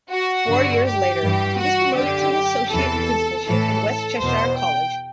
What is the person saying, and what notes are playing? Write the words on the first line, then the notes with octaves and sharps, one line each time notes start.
Four years later, he was promoted to an associate principalship at West Cheshire College.
F#4
G2 D3
G4
G2 E3
F#4
F#2 D3 G4
E2 C3 E3 A4
A2 E3 A4
E2 B2 C5
G5